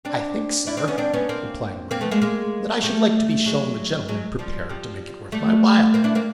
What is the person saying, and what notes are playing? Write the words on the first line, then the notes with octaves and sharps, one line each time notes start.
'I think, sir,' replied Wegg, 'that I should like to be shown the gentleman prepared to make it worth my while!'
C4 D4
D4 E4
C4 D4
B3 C#4
C4 D4
B3 C#4
A#3 C4
A#3 C4
A3 B3
G#3 A#3
G#3 A#3
G3 A3
F#3 G#3
F#3 G#3
F3 G3
F3 G3
G3 A3
A#3 C4
D4 E4
A#3 C4